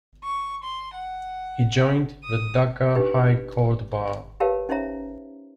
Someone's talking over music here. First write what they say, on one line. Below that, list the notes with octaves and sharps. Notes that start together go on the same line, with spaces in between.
He joined the Dhaka High Court Bar.
C#6
C6
F#5
D#6
D4 D#4 G4 B4
G4 A#4 B4 C#5 F5 A5
C#4 D#4 C5 C#5 E5 A#5